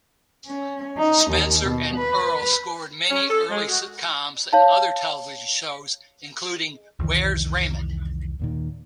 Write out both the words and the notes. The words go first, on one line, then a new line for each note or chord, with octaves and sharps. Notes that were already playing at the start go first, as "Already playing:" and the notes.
Spencer and Earle scored many early sitcoms and other television shows, including Where's Raymond?
C#4
D#4
D#2
B2
B4
C#4
A4
G#3
F#4
C#5 F5 A5
C2 F2 D#3 E3
D#2 A#2 D#3